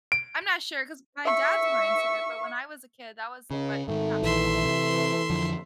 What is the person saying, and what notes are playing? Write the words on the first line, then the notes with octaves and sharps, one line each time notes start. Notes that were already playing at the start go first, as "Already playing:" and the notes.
I'm not sure 'cause my dad's more into it, but when I was a kid, that was, like he would have to tell me to
D7
E5 C#6
C#2 C#3
G#2 D#3 A3
A#1 D#3 E3 E5 C6
C3
F2 D3 F3